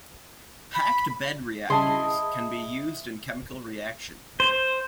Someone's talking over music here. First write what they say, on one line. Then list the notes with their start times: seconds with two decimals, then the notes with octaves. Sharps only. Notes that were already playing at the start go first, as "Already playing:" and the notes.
"Packed bed reactors" can be used in chemical reaction.
0.75 B5
1.70 C#3 G3 C#4 E4 G#4 D#5 A5 C6
4.40 C5